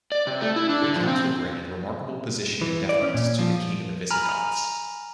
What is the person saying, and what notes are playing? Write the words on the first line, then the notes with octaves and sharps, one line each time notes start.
The council granted remarkable position and deference to the king of the Visigoths.
D5
C3
A3
E4
D4
D3
F3
C4
E3
D5
C#4
A#2
F3
G#5 A#5 B5 F6